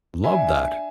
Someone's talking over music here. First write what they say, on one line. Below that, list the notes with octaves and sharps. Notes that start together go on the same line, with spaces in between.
Love that.
D4 E5 G#5